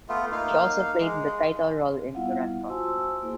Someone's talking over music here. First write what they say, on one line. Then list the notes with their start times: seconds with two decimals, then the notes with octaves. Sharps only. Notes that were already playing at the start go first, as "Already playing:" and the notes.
She also played the title role in "Turandot".
0.09 A3 B3 F4
0.32 A#3 D#4 F5
1.00 G#3
2.15 G3 B3 E4 F4 F5 F#5
2.40 F4
2.69 F#4 C5 G#5 A5 C6 E6
3.22 A#3 E4 G#4 C5